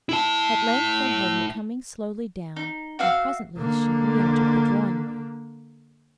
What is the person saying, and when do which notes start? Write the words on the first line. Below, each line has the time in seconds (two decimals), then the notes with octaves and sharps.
At length they heard her coming slowly down, and presently she reentered the drawing-room.
0.09 E4 A5
2.56 D#4
2.99 F#4 E5 F5
3.56 D3 A#3